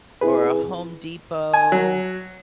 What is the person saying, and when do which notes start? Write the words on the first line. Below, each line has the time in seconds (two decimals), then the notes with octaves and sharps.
or a Home Depot
0.21 C4 E4 G#4 B4
1.54 G#5
1.72 F#3